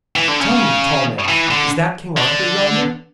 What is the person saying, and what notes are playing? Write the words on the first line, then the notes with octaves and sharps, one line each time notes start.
'Tell me, tall man, is that King Arthur yonder?'
E3
D3
C#3
E3
D3
D3